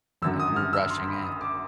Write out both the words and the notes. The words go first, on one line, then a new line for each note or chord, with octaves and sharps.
Like, we were rushing it.
G#1 F#2 D3 F#3 E6
D#6
F6
E6
C6
B5
D#6
D6